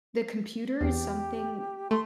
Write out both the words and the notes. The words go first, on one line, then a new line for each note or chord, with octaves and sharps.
the computer is something
E2 G4
A3 C6